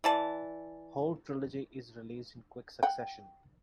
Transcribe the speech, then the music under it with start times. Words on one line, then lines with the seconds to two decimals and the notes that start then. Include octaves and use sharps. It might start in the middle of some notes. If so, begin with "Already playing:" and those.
Whole trilogy is released in quick succession.
0.04 E3 D5 A5
2.83 F#5 G5